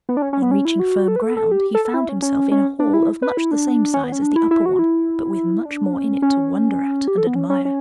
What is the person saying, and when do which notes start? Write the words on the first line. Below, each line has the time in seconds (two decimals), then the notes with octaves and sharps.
On reaching firm ground he found himself in a hall of much the same size as the upper one, but with much more in it to wonder at and admire.
0.09 B3
0.17 D4
0.22 C#4
0.33 C#4
0.42 B3
0.51 C#4
0.65 E4
0.80 F#4
1.08 A4
1.16 B4
1.22 A4
1.37 A4
1.51 G4
1.75 A4
1.85 A4
1.94 E4
2.09 C#4
2.22 C#4
2.52 C#4
2.80 D4
2.93 E4
3.22 B4
3.37 E4
3.51 D4
3.94 C#4
4.04 B3
4.12 C#4
4.22 D4
4.36 E4
4.51 E4
4.66 F#4
4.79 E4
5.65 D4
5.93 C#4
6.22 C#4
7.08 G4
7.18 A4
7.27 B3
7.35 C#4
7.50 C#4
7.65 C#4